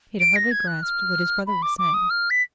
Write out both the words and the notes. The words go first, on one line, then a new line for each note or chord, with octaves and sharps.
He had hardly grasped what his brother was saying.
D7
A#6
G#6
F#6
F6
B5
D6
D6
D#6
F6
B6